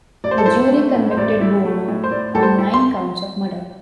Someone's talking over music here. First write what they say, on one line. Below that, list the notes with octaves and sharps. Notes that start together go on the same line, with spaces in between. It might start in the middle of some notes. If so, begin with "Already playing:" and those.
The jury convicted Buono on nine counts of murder.
A1 D5
C5
A4
E4 C5
A3
A2
C5
A1 D5
E4
A3
A2
C5
A2 D5
A2 A4
C5
E4
C6